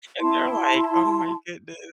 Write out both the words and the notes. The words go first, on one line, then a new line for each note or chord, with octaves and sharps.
And they're like, "Oh my goodness,"
E4 A5 C6